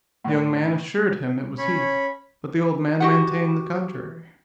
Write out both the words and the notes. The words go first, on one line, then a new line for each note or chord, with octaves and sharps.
The young man assured him it was he, but the old man maintained the contrary.
A2 D3
C#4 C#5 B5
F#4 G4 F#5